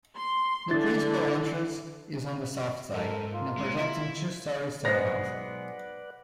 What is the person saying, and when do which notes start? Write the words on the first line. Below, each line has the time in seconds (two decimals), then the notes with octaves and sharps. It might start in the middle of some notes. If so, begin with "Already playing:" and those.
The principal entrance is on the south side, in a projecting two-story stairhouse.
0.18 C6
0.71 D3 E3 D4 E4 A6
2.94 G#2 A4 A#4
3.33 A#3 F4
3.57 G#3
3.77 E4
4.85 B1 G#3 B3 B4 C5 D5 F#5 A#6